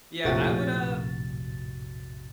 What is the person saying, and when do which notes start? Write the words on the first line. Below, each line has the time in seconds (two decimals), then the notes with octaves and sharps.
Yeah, I would, uh,
0.24 A#1 F2 A2 C3 F#4 A6